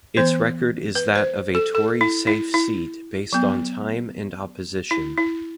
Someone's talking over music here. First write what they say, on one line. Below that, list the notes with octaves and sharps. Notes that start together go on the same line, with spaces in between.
Its record is that of a Tory safe seat based on time and opposition.
E3 B3 C5
B4
C5
A4
A4
E4
E4
E4
F#3 B3
E4
E4